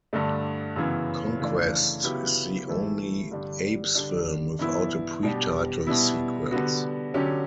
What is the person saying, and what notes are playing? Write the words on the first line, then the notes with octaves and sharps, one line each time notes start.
"Conquest" is the only Apes film without a pre-title sequence.
G2 D3 A3 D4
F#2 C#3 E3 B3
C#3 E3 A3 D4
C#3 F#3 B3 E4 G4
E3 A3 E4 G4
G2 D3 G3 D4
D3 G3 D4
G2 E3 B3 E4
B2 G3 D4 G4
B2 G3 B3 E4
D3 G3 B3 F#4
D3 F#3 C#4 G4